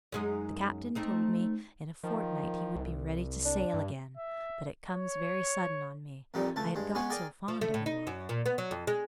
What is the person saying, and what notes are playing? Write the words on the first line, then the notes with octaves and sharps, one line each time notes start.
"The captain told me in a fortnight he would be ready to sail again; but it comes very sudden on me, I had got so fond of you all."
F#2 G#3 D#4
A3 C4 D#4
D#3 F3
C2
D4
G2
E5
C#5
F2 A#2 G3 D#4
C#2 A3 A5
G2 G#3
G#3 B3 C#4 G#4
G#4 A#4 D5 G5 G#5
F3
A3
A2
D#4
F#2
A#2
B3
F#3
F2
G#3